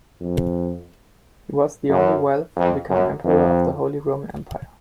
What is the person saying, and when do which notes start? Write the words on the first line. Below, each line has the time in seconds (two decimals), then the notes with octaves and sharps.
He was the only Welf to become emperor of the Holy Roman Empire.
0.21 F2
1.90 F#2
2.57 F2
2.90 F#2
3.25 F2